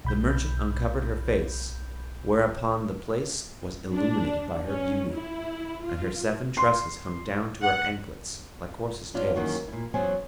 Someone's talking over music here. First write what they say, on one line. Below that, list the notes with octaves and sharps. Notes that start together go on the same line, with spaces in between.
The merchant uncovered her face, whereupon the place was illumined by her beauty and her seven tresses hung down to her anklets like horses' tails.
B1 B5 G6
D4
C#4
E4
F4
C6
F#5
F#3 B3 D4 F4
F#2 D#3 E3 A#3 F#4
A#2 E4
E2 F#3 B3 C#4 C5 G#5